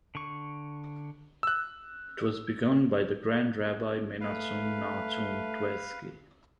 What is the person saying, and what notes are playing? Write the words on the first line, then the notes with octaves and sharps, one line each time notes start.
It was begun by the Grand Rabbi Menachum Nachum Twerski.
D3 C#6
E6 F#6
A3 B4 F5